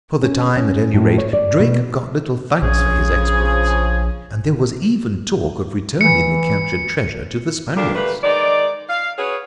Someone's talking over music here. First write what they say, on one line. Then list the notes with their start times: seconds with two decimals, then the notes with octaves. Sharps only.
For the time at any rate Drake got little thanks for his exploits--and there was even talk of returning the captured treasure to the Spaniards.
0.23 C#4
0.57 C#4
0.94 A2
1.18 C#5
1.33 D5
1.60 B2
2.62 A#1 C#3 F3 G#4
6.01 E3 C#7
7.77 D2 A#2 D3 D4 G4 F5
7.95 G3 A3 A#3 B4
8.24 D#3 G#3 D#4 D5
8.90 F5
9.18 F#4 G#4 B4 C#5